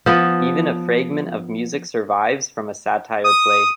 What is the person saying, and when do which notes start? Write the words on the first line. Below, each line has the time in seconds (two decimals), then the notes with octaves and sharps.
Even a fragment of music survives from a satyr play.
0.06 F3 B3
3.24 D#6